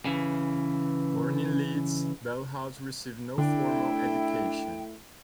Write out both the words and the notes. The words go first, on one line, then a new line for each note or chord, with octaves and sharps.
Born in Leeds, Bellhouse received no formal education.
C#3 E3
D3 A3 D4 E4 G5